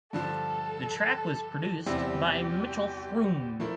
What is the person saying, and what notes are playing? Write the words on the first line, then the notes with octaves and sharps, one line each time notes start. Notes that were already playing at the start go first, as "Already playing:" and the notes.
The track was produced by Mitchell Froom.
G2 D3 F3 A4
E2 C3 G3 C4 E4 G4
F3 A3 E4 A#4